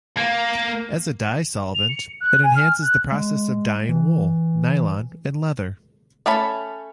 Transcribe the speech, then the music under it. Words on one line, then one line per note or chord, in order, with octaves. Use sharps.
As a dye solvent, it enhances the process of dying wool, nylon, and leather.
A#3
F7
C#7
F#6
G#5
F6
F#6
G#3
E3
A3 C#4 A5 B5